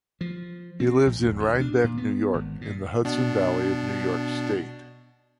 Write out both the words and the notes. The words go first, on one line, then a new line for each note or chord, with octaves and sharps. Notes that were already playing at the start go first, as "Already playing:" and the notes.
He lives in Rhinebeck, New York, in the Hudson Valley of New York State.
F3
C4
A#1
E1
D2
D4
A#2
B3
G#1
A#2
B2 D4